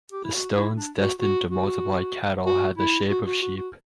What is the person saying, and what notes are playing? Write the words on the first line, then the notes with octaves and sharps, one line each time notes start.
The stones destined to multiply cattle had the shape of sheep.
G4
E4
F#4
E4
D4
F#4
F#4
F#4
F#4
E4
F#4
F#4
F#4
F#4